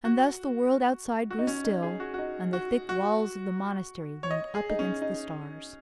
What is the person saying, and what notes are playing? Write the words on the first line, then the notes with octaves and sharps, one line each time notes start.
And thus the world outside grew still, and the thick walls of the Monastery loomed up against the stars.
F#4
F#4
D#4
C#4
D#4
G#4
F#4
F#4
D#4
F#4
F#4
C#5
D#5
G#4
D#4
C#4
D#4